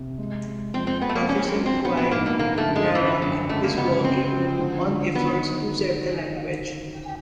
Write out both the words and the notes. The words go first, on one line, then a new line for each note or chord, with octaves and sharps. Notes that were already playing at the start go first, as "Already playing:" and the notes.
Professor Qian Nairong is working on efforts to save the language.
Already playing: C3
G#3
G#3
F2 C4
C4
F2 B3
A3
A#3
C#4 D4
C4
F#3
C4
A#1 B3
B3
G#2 A#3
A#3
D3 A#3
A3
F#2
G#3
D3 E3
F#2 F#3
C#2 A3
A#3
C#2 B3
C#4
C#3 C4
F3
D3
F#3
D#3 B3